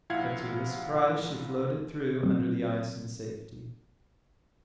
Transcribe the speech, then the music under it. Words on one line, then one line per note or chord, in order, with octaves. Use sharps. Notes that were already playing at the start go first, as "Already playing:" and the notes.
But to his surprise she floated through under the ice in safety.
A#1 E4 F4 F5 F#5 G#6
F#3 C4